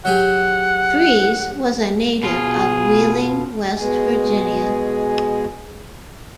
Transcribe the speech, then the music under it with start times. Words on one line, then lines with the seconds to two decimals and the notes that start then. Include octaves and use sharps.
Freese was a native of Wheeling, West Virginia.
0.05 F#3 G4 G#4 F#5
2.23 B2 F4 G#4
3.75 B2 G#3 G#4